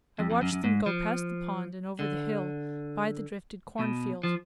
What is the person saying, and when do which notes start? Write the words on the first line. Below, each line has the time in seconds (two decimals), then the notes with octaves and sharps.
I watched them go past the pond and over the hill by the drifted cornfield.
0.19 F2
0.31 F2
0.42 F#2
0.53 F#2
0.64 G#2
0.86 F3
1.99 D3
3.79 B2
4.23 F3